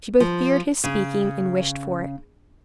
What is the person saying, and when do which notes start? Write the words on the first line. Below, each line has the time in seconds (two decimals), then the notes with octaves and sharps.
She both feared his speaking and wished for it.
0.20 F3
0.84 C#3